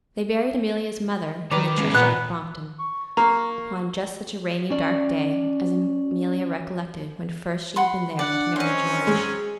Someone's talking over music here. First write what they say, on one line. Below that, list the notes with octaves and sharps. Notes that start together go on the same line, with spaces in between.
They buried Amelia's mother in the churchyard at Brompton, upon just such a rainy, dark day as Amelia recollected when first she had been there to marry George.
D#3 B4 D5 A#5
G#3 B3 C#4
A#2 B3 A#5 F#6
C#6
A#3 A#5 C#6
C#4 D5
F#5 B5 C6
D4 D5 F#5
F#3 C4 C#4 C5 D#5
G#3 G#4